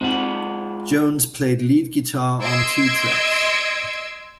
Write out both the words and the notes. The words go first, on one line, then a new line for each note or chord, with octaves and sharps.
Jones played lead guitar on two tracks.
G#3 C4 D#4 F4 F#5
D#5 C6 E6 G#6 D7